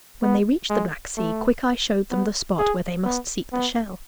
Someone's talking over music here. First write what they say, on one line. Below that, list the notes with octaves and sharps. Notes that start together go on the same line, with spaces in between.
When they reached the black sea, Quickeye showed them the spot where they must seek the shell.
B3
G#3
A3
B3
G#4
B3
B3